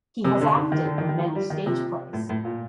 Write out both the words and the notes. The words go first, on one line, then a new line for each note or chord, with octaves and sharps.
He has acted in many stage plays.
C3 C4
C3
D3 D4
D3 D#4
D#3
D3
D#3
D#3
F3
G3
D#3
C3 F4
A2
A2
A#2